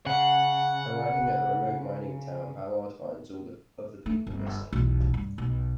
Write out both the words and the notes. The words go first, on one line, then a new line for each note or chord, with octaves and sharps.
Arriving at the remote mining town, Ballard finds all of the people missing.
C#3 F#5
A3
G1
B1 E2
G2
B1